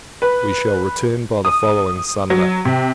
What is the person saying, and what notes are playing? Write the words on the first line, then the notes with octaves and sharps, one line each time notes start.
We shall return by the following Sunday.
B4
D#6
F#3
C3